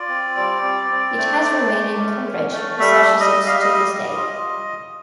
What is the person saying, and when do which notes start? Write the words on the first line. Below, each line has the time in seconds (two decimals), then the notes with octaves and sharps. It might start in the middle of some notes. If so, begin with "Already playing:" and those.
It has remained in Cambridge, Massachusetts to this day.
Already playing: F4 D5
0.09 C4
0.36 G3
0.63 C4
0.91 C4
1.18 A3
1.44 A3
1.72 A3
1.98 C#4
2.25 C#4
2.52 A3
2.79 G3 E5
3.07 G3
3.20 D#5
3.33 G3
3.47 F5
3.53 E5
3.61 G3 D#5
3.88 G3
4.15 F4